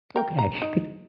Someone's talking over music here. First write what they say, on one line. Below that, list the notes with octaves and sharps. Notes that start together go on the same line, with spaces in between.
Okay, 'cause
A#4 G5
A#5
D#4